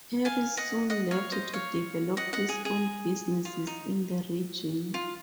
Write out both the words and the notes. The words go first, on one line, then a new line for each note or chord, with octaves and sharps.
Harris soon left to develop his own businesses in the region.
F5 G#5
D#5 F#5
D#5 F#5
C#5 F5
C5 D#5
C#5 F5
D#5 F#5
D#5 F#5
G#4
G#4
F4
D#4
F4